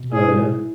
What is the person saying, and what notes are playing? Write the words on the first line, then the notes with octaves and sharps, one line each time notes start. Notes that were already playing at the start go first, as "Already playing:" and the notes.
Oh, yeah.
Already playing: B2
E4 G#4